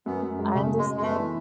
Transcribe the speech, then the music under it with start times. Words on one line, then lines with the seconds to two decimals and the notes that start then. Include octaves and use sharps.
I understand.
0.06 F#2 B3
0.23 F#2
0.39 G#3
0.54 C#3 A3
0.70 F#2
0.78 G#3
0.87 F#2
0.97 G#3
1.02 A3 B3
1.18 E3